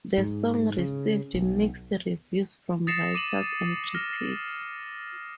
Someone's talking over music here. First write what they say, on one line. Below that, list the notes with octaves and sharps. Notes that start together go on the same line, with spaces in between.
The song received mixed reviews from writers and critics.
G#2
C#3
B1
D#6 A6 A#6 C7 C#7 E7
D6 D#7 E7 F#7
F6 A#6